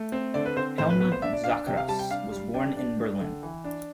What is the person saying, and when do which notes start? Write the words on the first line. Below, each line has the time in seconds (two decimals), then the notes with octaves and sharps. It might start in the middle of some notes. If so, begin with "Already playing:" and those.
Helmut Zacharias was born in Berlin.
Already playing: A3
0.12 C4
0.34 D3 D5
0.46 B4
0.56 C4 C5
0.78 A2 C5
0.90 B4
1.00 B3 B4
1.12 C5
1.22 D4 E5
1.33 D5
1.44 D4 F5
1.67 C3 G5
1.77 F5
1.88 G3 A5
1.99 G5
2.11 D4 F5
2.32 G3
2.54 D4 G5
2.77 D4
2.98 D4
3.20 D3
3.43 E3
3.64 D4